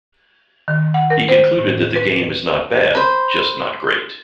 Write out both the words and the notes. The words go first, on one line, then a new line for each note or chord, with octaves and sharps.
He concluded that The game is not bad, just not great.
D#3
F#5
A#4
C5
A2
B4
C5 B5